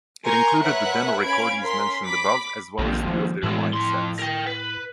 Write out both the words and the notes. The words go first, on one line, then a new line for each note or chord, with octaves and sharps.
It included the demo-recordings mentioned above as well as two of their live-sets.
A#4 G#5 A#5 C6 C#6 G6
A#4 B4 C#5 E5 F#5 F#6
C#4 F5 B5 G#6 D7
C#4 A#4 C6 B6
B5 D6 B6
A#1 D#2 C3
F3
A2 E3 G#3
F2 C6
A#4 G5
B4